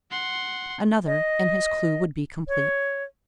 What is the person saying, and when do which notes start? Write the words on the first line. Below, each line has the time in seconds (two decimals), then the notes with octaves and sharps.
Another, and his clue would be complete!
0.11 F#5 C6
1.06 D#5
2.48 C#5